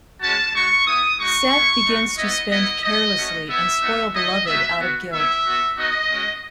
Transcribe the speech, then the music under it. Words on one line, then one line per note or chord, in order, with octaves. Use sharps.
Sethe begins to spend carelessly and spoil Beloved out of guilt.
G#3 C#4 F#4 A5
G#3 D#4 F#4 C#6
B3 E4 D#6
G#3 D#4 F#4 C#6
B3 E4
A3 D#4 F#4
B3 E4 D#5
B3 E4 D#5
A3 E4 D#5
A3 C#4 F#4
B3 E4 E5
B3 D#4 F#4
A3 E4 D#5
G#3 B3 D#4 F#4 E5
B3 F#4
B3 E4 E5
B3 F#4
B3 D#4 F#4 D#5
G#3 C#4 F#4